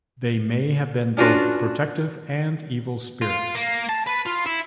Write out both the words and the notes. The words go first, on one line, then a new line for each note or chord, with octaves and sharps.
They may have been both protective and evil spirits.
C#4 D4 F4 F#4 B4
F4
A#3
A5
B4
F4
E4